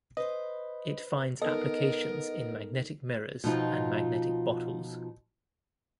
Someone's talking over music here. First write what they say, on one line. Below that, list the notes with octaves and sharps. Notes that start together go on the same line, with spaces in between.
It finds applications in magnetic mirrors and magnetic bottles.
B4 C5 D#5
B3 D#4 A4 A#4 D#5
B2 F3 D#4 F4